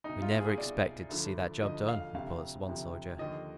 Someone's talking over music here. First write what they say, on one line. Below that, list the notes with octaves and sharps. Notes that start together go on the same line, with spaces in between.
"We never expected to see that job done," reports one soldier.
C2 B2 D#4
F4
G#4
C2 B2 D5
D2 D3 F3
D2 D3 F3 D#5
F5
D2 C3 F3 F5
D2 C3 F3
D#2 D3 F3 D#5